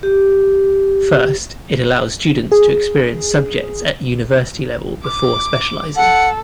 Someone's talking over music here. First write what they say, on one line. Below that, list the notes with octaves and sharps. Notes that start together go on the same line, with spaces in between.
First, it allows students to experience subjects at university level before specialising.
G4
G#4
D6
A4 F#5